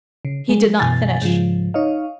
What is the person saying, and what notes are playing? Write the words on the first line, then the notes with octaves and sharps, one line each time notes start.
He did not finish.
C#3
G#3
F#2 B2 E3 G#5 A6
G#2 C#3 F3
D#4 C#5 D#5 F5